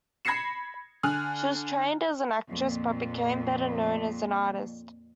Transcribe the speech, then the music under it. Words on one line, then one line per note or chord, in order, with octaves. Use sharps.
She was trained as an actress, but became better known as an artist.
B5 G#6 A#6 C7 C#7 E7
D3 G#5 F6 F#6
F2 A#2